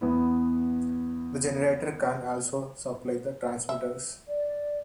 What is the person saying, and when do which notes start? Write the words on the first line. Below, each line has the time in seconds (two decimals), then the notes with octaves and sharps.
The generator can also supply the transmitters.
0.01 E2 B3 E4
3.69 E5
4.29 D5